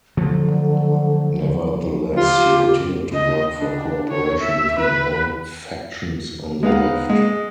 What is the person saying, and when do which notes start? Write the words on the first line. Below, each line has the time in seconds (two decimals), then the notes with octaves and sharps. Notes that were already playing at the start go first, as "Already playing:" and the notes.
Nevertheless, he continued to work for cooperation between all factions on the left.
0.17 D3 F3 F#3 A3
2.16 F4 G4
3.13 D#5
3.55 D4
4.11 C#5
4.42 E5
4.79 B4
6.63 G#3 B3 D#4 F5 F#5
7.09 G#3